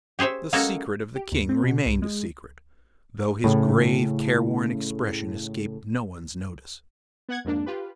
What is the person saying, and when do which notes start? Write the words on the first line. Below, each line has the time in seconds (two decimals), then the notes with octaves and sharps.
The secret of the King remained a secret, though his grave, careworn expression escaped no one's notice.
0.19 G4 G#4 C5 C#5 E5
0.53 F#3 G#3 A#3 C#4 F#4 A4
1.16 G4
1.32 D#2
1.49 C4
1.64 B2
1.86 C2
2.02 G#3
3.44 A2 C#3
7.29 B3 F#5 G#6
7.45 F2 G#2 A#3 D4
7.66 F4 G4 B4